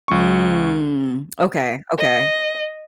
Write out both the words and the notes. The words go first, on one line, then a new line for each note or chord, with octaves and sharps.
Mm. Okay, okay,
C#2 C#6
D#5